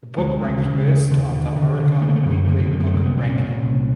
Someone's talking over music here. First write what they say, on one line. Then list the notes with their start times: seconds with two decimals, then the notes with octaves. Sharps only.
The book ranked first on the Oricon weekly book ranking.
0.18 D2 G#3
0.42 D2
0.65 C#3
0.88 D2
1.10 D#2
1.33 D3
1.56 D3
1.80 D3
2.01 D3 A3
2.09 A#3
2.16 A3
2.23 F#2 A#3
2.30 A3
2.37 A#3
2.45 A3
2.49 D3 A#3
2.58 A3
2.66 A#3
2.71 F#2 A3
2.80 A#3
2.87 A3
2.94 C2 A#3
3.05 B3
3.17 A#2 C4
3.29 C#4
3.40 A#2
3.63 C2